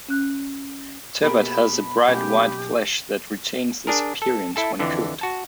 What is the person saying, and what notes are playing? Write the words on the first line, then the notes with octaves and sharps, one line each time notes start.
Turbot has a bright white flesh that retains this appearance when cooked.
C#4 F#6
B2 A#3 G4 G#4 A#4 B5 D7
B1 B2 A#3 C#4 G4 B4 G#5
D4 G#4 A#4
A4
E4 A4 A5
F2 D3 E3
F#4 A5